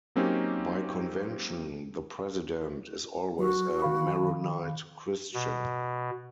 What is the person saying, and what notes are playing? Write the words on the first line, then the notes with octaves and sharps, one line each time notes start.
By convention, the president is always a Maronite Christian.
F#3 A#3 C4 C#4 D#4 G4
F#3 F#4
D#3 F5 B5
B2